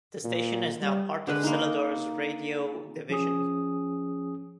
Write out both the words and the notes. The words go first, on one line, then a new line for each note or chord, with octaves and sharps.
The station is now part of Celador's radio division.
A#2
G3
D3 G#3 B4 B5
A#3 D#4
F3 C#4 G#4 D#6